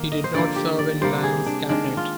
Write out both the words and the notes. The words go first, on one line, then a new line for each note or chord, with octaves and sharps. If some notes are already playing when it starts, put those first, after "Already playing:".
He did not serve in Lyon's cabinet.
Already playing: D#3 A#3
D#5
C5
D3 F3 A#3 D5
G4
D5
C3 G3 A#3 C5
G#4
D4
D#3 G#3 D4
F4